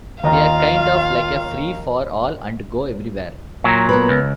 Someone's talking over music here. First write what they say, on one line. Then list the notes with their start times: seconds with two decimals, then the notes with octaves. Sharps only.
They're kind of like a free-for-all and go everywhere.
0.23 D#2 F4 A#4 D#5 F5 G5 A#5
3.64 A#2 F#3
3.89 B3 A#4 B4
4.09 C#2